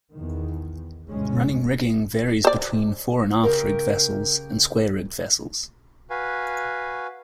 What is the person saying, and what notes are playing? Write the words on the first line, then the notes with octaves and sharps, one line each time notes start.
Running rigging varies between "fore-and-aft rigged" vessels and "square-rigged" vessels.
E2 D#3
D2 G2 B2 E3 G#3 C#4
C5 D5
C#3 G4 A#4
F#4 B4 F5 G#5